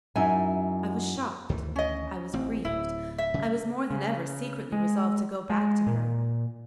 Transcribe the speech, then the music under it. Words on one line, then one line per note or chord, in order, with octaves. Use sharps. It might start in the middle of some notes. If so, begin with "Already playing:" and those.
I was shocked; I was grieved; I was more than ever secretly resolved to go back to her.
F#2 D#4 E4 G#5
D2 D#3 E3
C#4 D#5
A1 C4
D1 E4
E5
C#3 G3
C#3
G#3
G#3
A#2